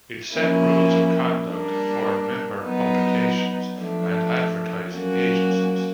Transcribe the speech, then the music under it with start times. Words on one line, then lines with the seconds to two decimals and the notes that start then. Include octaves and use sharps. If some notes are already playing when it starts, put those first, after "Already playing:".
It set rules of conduct for member publications and advertising agencies.
0.34 F3 A#3 C#4 E4
1.48 G3 A#3 D4
2.63 F#3 B3 D#4
3.77 F3 A3 D4
4.92 F#3 A#3 C#4 F#4